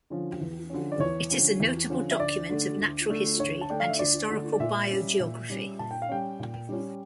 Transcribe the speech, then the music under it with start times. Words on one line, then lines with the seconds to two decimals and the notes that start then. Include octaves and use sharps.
It is a notable document of natural history and historical biogeography.
0.10 D3 F3 C#4
0.41 E2
0.70 D3 F3 C#4
0.92 D5
1.00 E2 C#5
1.31 D3 F3 C#4
1.60 E2
1.89 D3 F3 C#4
2.11 E5
2.20 D2 D5
2.49 D3 A3 D4
2.80 D2
3.09 D3 A3 D4
3.39 D2 C#5
3.61 A5
3.70 D3 A3 D4 G5
3.80 F5
3.90 E5
3.99 D2 D5
4.29 D3 A3 D4
4.53 D5
4.60 A#2 E5
4.90 G3 C#4
5.20 A#2
5.50 G3 C#4
5.79 A#2 A5
5.91 G5
6.02 F5
6.09 G3 C#4 G5
6.40 A#2
6.69 G3 C#4